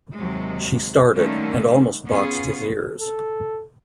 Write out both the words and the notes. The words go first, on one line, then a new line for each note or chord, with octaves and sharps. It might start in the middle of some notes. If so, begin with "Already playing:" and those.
She started, and almost boxed his ears.
D#2 C3 F#3 G#3
D3 D#3 G3 A3 A#3 C#4
B3 C#4 F4 G#4
A4